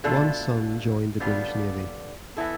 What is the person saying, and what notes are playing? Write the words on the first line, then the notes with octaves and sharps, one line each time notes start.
One son joined the British Navy.
B2 A3 D4 F4 A4
D3 G3 B3 D4 F4
E3 B3 E4 A4